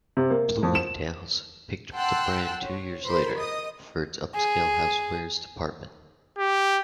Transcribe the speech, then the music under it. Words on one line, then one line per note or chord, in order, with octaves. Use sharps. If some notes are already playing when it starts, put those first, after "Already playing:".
Bloomingdale's picked up the brand two years later, for its upscale housewares department.
C3
A#3
F2
E7
F#5 G5 A5 C6 E6 F#6
C#5
A#4 C5 B5 C6
D#5 D#6
G#4
G4